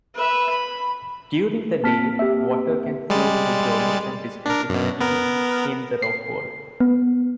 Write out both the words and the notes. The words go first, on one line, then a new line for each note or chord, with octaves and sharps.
During the day, water can flow into joints and discontinuities in the rock wall.
B4 E5
B5
A#3 C4 A5 F6 B6
G4 E5
G3 G#3 A6
D4 A#4
F#2 B2
B3 A#4
C7
B3